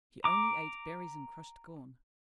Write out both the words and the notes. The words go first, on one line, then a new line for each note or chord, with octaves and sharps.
She only ate berries and crushed corn.
A#5 D6